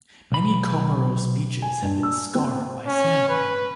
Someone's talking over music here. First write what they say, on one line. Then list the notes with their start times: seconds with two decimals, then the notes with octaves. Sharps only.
Many Comoros beaches have been scarred by sand mining.
0.32 B1 B5
1.62 G#5
1.82 G2
2.03 E6
2.35 C4
2.87 C#4
3.29 B4